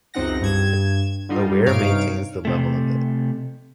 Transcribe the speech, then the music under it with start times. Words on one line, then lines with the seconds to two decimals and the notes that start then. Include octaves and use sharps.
A weir maintains the level of it.
0.14 C#2 F#2 C4 D#4 F#5 A#6
0.42 G2 G#6 E7
1.29 D3 G3 D#4 F4
1.66 G2 C3 D#4 C#5 F5 D7
2.45 C3 A3